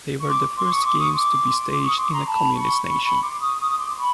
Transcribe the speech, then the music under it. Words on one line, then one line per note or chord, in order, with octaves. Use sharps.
They were the first Games to be staged in a communist nation.
C#6
C6 D6
C6 D6
C#6 D#6
C6 D6
C#6 D#6
C6 D6
C6 D6
C#6 D#6
C6 D6
C#6
A#5 C6
A5 B5
B5 C#6
B5 C#6
B5 C#6
C6 D6
C#6 D#6
C#6 D#6
C6 D6
C6
B5 C#6